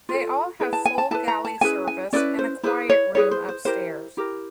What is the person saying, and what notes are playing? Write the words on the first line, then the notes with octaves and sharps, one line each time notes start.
They all have full galley service and a "quiet room" upstairs.
F4 A4
E4 G#4 B4
A5
G#5
A5
E4 G#4 B4 A5
A#5
A5
C#4 E4 G#4 B4 G#5
G#5
C#4 E4 G#4 B4 D5
C5
E4 G#4 B4 C5
C#5
E4 G#4 B4 C#5
C5
C5
E4 G4 A#4 C5
E4 G4 A#4